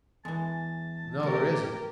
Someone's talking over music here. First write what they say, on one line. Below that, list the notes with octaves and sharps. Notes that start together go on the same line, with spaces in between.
"No, there isn't."
E2 E3 G#3 A5
G3 A3 G4 A#4